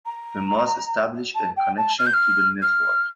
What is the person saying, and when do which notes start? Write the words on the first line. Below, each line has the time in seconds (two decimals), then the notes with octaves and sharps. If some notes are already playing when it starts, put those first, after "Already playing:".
We must establish a connection to the network.
0.06 A#5
1.35 A5
1.56 G5
1.77 A5
1.98 F6
2.06 G6
2.13 F6
2.62 F6